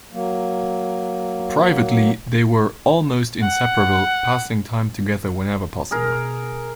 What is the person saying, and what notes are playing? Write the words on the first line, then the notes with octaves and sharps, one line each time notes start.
Privately, they were "almost inseparable", passing time together whenever possible.
F#3 A#3
F#5
B2 G#4 A#4